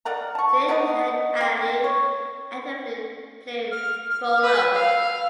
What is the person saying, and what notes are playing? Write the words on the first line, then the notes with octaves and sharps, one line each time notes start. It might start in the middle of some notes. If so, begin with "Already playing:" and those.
Syed Shahid Ali actively played polo.
D5 F5 F#5 A#5
A5 C#6
B3 D4 D#4 D#5
C4
C#5
F6
F6
B4 E6
F5 E6